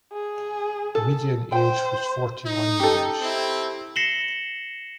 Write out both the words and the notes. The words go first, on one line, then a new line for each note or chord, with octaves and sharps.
The median age was forty one years.
G#4
A4
C5 G5
D#4
G4 A4
C4 E4
A#6 C7 C#7 E7 F#7 G7